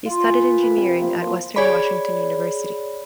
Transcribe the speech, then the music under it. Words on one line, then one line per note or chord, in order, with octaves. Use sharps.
He studied engineering at Western Washington University.
F4
G#5
B4
B4
C3
A#3
F3
G#4 C#5 D5 B5